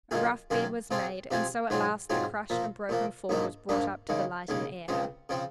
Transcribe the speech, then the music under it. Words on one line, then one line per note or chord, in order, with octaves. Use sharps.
A rough bed was made, and so at last the crushed and broken form was brought up to the light and air.
F#2 D#3 A#3 F4 G#4
F#2 D#3 A#3 F4 G#4
C3 F3 C4 F4 G#4
C3 F3 C4 F4 G#4
G#2 F#3 C4 F4 G#4
G#2 F#3 C4 F4 G#4
A#2 F3 A#3
A#2 F3 A#3
A#1 G#2 F3 A#3 D#4
A#1 G#2 F3 A#3 D#4
D#2 C#3 G#3
D#2 C#3 G#3
C#2 C#3 F3 C4
C#3 F3 C4